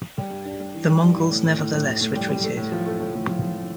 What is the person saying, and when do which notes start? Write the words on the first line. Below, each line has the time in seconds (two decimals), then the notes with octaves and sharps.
The Mongols nevertheless retreated.
0.18 G3
0.31 G2
0.45 D4
0.60 G3
0.74 E3
0.88 G3
1.02 G2
1.16 E3
1.30 A2
1.45 A2
1.58 A2
1.73 A2
1.87 A2
2.01 A2
2.15 G3
2.29 G3
2.43 A3
2.57 A2
2.72 F3
2.86 A3
3.00 A2
3.14 A2
3.29 F3
3.42 F3